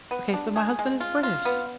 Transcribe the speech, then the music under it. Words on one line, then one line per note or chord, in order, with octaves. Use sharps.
Okay, so my husband is British,
B3
D4
G#4
G#3
F4
F4
B3